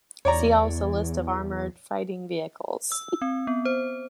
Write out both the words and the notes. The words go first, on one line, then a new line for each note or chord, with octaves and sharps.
See also list of armoured fighting vehicles.
E2 C#5 D5 A#5
E6
C4
B3
C5